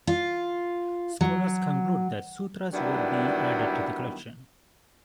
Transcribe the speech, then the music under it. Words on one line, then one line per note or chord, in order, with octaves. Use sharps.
Scholars conclude that sutras were being added to the collection.
F4
F#3
D#3 F#3 G3 B3 D4 E4